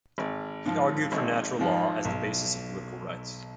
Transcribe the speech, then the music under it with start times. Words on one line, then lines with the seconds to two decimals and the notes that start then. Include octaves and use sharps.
He argued for natural law as the basis of political rights.
0.18 G#1
0.66 G#2 F3
1.12 G#1
1.59 G#2 F3
2.05 B1